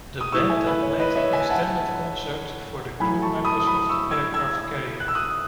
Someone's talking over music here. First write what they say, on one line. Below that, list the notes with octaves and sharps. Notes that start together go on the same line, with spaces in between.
The band then played an extended concert for crew members of the aircraft carrier.
D#6
A2 E3 C#6 E6
E5 G#5
B4
C#5
B4 D#5
C#5 E5
E5 G#5
F#5 A5
A2 F#3 G#5 B5
A5 C#6
B5 D#6
B5 D#6
C#6 E6
E6 G#6
E6 G#6
F#6
E6
D#6 F#6